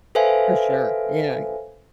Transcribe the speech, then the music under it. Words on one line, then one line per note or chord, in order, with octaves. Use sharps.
For sure, yeah, m
A4 B4 C5 E5 F5 G#5